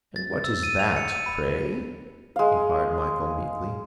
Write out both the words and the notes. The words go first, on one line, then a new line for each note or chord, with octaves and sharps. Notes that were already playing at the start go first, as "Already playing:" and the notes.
"And what is that, pray?" inquired Michael, meekly.
A6
E6
D#7
F7
C#7
D#7
B5
G#3 F5